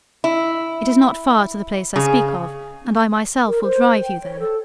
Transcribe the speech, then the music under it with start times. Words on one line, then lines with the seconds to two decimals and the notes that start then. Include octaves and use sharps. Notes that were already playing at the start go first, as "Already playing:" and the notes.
It is not far to the place I speak of, and I myself will drive you there.
0.24 E4
1.96 C#3 G#4
3.48 A#4
3.63 C5
4.02 G5
4.22 C#5
4.39 A4